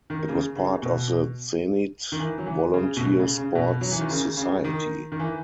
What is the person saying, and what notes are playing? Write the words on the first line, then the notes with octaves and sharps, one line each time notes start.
It was part of the Zenit volunteer sports society.
D#3
C#3
C#3
B2
D#3
E3
F#3
E3
C#3
B2
A2
C#3
C#3
B2
F#3
E3
D#3
C#3
C#3
D#3
D#3
E3